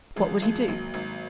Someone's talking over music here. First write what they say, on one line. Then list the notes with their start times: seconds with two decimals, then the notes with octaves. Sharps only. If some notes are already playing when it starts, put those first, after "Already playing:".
What would he do?
0.16 G#1 F3 G#3
0.42 G#1 F3 G#3
0.68 G#1 F#3 A#3
0.94 G#1